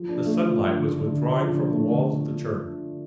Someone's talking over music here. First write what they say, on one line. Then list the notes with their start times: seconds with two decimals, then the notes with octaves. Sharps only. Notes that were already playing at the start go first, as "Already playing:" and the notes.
The sunlight was withdrawing from the walls of the church.
Already playing: F3
0.09 D4
0.25 A3
0.41 F3
0.57 D4
0.73 D3
0.89 D3
1.06 D3
1.23 D4
1.39 F3
1.55 D4
1.71 A3
1.87 D3